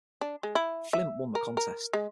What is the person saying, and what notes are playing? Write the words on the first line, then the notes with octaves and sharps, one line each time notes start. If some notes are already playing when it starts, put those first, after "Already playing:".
Flint won the contest.
D4
G#3
E4
E5
A#4
A#4
G#3